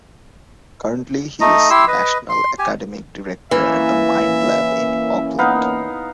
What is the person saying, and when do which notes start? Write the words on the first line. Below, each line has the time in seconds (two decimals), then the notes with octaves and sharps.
Currently he is National Academic Director at The Mind Lab in Auckland.
1.41 A3 D#4 D#5
1.70 E4 G4 C6 E6
1.88 B4 D#5
2.29 C6
2.59 G4 G#5
3.51 E3 A#3 C#4 E5
5.39 B3 D#4 F5